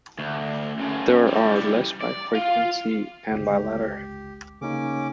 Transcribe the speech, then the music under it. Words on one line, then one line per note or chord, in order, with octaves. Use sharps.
There are list by frequency and by letter.
D2
F#2 C#3
E3 G3
D5
F4 F5
G1 C#2 G4
C#3 A#3 C#4 D#4 D6